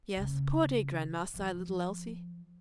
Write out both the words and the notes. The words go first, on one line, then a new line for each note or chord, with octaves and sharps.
"Yes, poor dear grandma!" sighed little Elsie.
C#3
F3